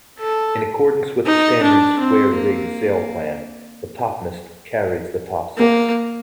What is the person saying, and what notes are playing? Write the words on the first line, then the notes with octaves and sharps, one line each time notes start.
In accordance with the standard square rig sail plan, the topmast carries the topsail.
A4
D#4
D4
C4
A#3
A#3